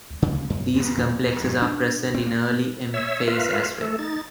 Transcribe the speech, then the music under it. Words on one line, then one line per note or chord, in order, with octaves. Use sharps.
These complexes are present in early M phase as well.
C#3
F#2
B3
A#2
G2
D4
C4
A#3
C#5 E5 E6
F4 A#4 B4 E5 F5
A3 A4
D#4 A6